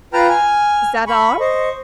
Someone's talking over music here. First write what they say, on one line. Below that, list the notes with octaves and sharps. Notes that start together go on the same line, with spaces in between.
"Is that all?"
F4 B4 G5 A5 A#5 F6
G#5 F6
B5 C#6
C5 D#5 C#6